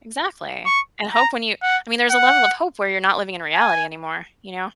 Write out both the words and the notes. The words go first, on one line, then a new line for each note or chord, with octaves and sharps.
Exactly, and hope when you I mean, there's a level of hope where you're not living in reality anymore, you know?
C#6
A#5
F#5
F#5
G#5